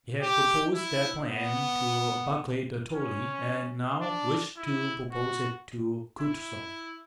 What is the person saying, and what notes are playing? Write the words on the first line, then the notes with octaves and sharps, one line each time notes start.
He had proposed that plan to Barclay de Tolly and now wished to propose it to Kutuzov.
G4
E4
B3
C#4
D4
E4
F#4
E4